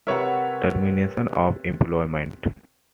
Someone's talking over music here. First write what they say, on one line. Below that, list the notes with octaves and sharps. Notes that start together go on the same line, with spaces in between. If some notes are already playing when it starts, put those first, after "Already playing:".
Termination of employment.
C3 A#4 B4 C#5 E5 F#5